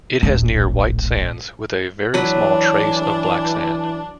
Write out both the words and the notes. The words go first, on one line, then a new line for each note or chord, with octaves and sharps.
It has near white sands with a very small trace of black sand.
D1 A#1
E3 F#3 D4 B4